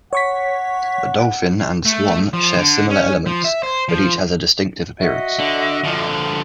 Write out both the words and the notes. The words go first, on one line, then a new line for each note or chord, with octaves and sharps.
The Dolphin and Swan share similar elements, but each has a distinctive appearance.
C#5 F#5 C#6 B6
A3
F3
D3
C#4
F3
E5
C5
F3
F#4 D#5 E5
D3
D3 F3